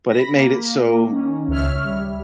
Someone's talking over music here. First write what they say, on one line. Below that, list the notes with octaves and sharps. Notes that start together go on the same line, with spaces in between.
but it made it so,
B5 A#6
A#3
A#3
D#3 C#4
C#2 C#5 E5 F6
G3